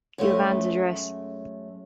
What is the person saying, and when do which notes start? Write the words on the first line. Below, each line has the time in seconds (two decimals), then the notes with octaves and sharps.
Do you have Anne's address?
0.18 F#2 G#3 A3